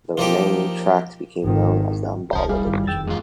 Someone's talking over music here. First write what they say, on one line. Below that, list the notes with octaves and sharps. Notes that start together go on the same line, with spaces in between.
The remaining tract became known as the Ambala Division.
F3 A#3 D#4 G4
G#1 D#3
D#1 C2 C5 A5
G3 E4 G#4 F5
G#1 G2 D#3
E1 F2 D#3 G5 E6 A6
E2 G#2 G#3 F4